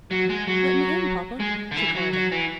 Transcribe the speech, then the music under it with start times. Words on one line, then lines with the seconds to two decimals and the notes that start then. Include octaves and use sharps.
"Let me in, papa," she called out.
0.11 F#3
0.29 G#3
0.47 F#3
1.40 G#3
1.71 D3
1.76 E3
1.95 F#3
2.13 F#3
2.32 E3